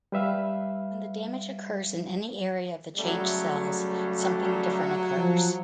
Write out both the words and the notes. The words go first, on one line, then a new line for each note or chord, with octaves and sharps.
When the damage occurs in any area of changed cells, something different occurs.
G3 B4 E5 F5
C#3 F#3 G3 A3
F3